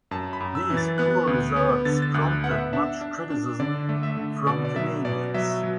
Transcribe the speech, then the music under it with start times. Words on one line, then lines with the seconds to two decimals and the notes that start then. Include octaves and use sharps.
These poor results prompted much criticism from Canadians.
0.11 F#2 A5
0.33 B5
0.40 F#2
0.55 E6
0.70 E3
0.77 A6
0.98 B3 F#6
1.27 D2
1.56 B3
1.85 D3 A6
2.02 A6
2.14 D2 F#6
2.44 B3 F#5
2.51 E5
2.58 F#5
2.73 D4 E5
3.01 D4
3.30 D4
3.60 D3 D5
3.89 A3
4.03 E5
4.17 D3
4.47 B2 D5
4.65 D5
4.76 F#3 E5
5.05 B2 D5
5.34 F#3 E5
5.63 F#3